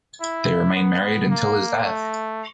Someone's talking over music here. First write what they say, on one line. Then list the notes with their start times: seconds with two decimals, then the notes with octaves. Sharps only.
They remained married until his death.
0.21 E4
0.76 B3
1.30 A#3
1.86 A3